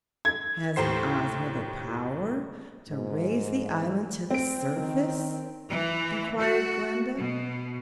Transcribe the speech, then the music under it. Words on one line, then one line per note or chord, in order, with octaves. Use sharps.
"Hasn't Ozma the power to raise the island to the surface?" inquired Glinda.
G#6
D#2 A2 G4 C5 C7
G#2
C4 D7
D#3
E3
F#4
B2